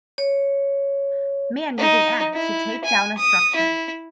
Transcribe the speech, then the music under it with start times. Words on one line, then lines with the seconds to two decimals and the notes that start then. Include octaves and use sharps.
Man using ax to take down a structure.
0.18 C#5
1.78 D#4
2.34 E4
2.84 G#5
3.17 D#6
3.55 E4